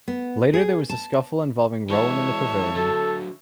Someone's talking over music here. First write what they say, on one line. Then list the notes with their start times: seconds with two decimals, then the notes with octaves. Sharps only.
Later there was a scuffle involving Rowan in the pavilion.
0.08 B3
0.53 G#4
0.89 A5
1.90 E3 G#3 C#5 E5 A5
2.76 D3 F#3 A4